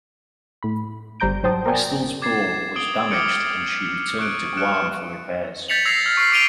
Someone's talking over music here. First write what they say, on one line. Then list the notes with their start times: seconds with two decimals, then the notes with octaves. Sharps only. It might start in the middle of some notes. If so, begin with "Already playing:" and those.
"Bristol"s bow was damaged and she returned to Guam for repairs.
0.63 A2 B5
1.20 G1 G3 C5 A#5 G6 D7
1.43 G#2 F#3 C5 G5 A5 D#6
1.66 A#4 C5 D5 G5 G#5
2.22 D6 G#6 A6 C7 E7
2.76 D#6 D7 F#7 G7
3.11 D6 D#6 F6 G6 C#7 D7
4.19 C#6 F#6 D7
4.57 F6 F#6 C#7 D7 E7
5.68 G6 A6 B6 C#7 F7 F#7
5.86 E6 G#6 A#6 C7 F7
6.06 F6 A#6
6.17 C#6 C7
6.32 D6 C7 D7 D#7 F7 G7